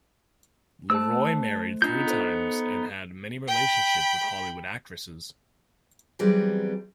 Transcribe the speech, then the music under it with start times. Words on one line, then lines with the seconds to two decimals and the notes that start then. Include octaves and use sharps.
LeRoy married three times and had many relationships with Hollywood actresses.
0.90 A3 C5 A5 E6
1.82 B3 D4 D#4 F4 G6
2.07 A4 C5
3.48 G5 B5
6.19 E3 F#3 G3 B3 C4 G#4